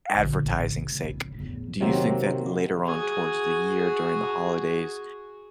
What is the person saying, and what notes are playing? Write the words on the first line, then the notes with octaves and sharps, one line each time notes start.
advertising sake? Do you think that later on towards the year during the holidays,
A#1 D3
A1
G2 C#3
G3 C#4
D#1 G3
E2 A2
C3 D#3 F#3 A#3 C4
F#4 G#4